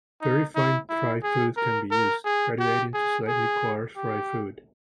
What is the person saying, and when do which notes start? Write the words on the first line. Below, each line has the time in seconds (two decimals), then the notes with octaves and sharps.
Very fine fry food can be used, graduating to slightly coarse fry food.
0.21 D#4
0.55 E4
0.89 E4
1.23 G#4
1.57 A#4
1.91 A#4
2.25 G#4
2.59 G4
2.94 G#4
3.28 G#4
3.96 G4